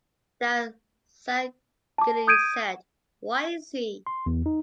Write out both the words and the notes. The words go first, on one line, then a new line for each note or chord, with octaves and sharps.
That Sangili said, "Why is he?"
A5 D6
D#6 G6 G#6 D7 D#7
C6
E2
D#4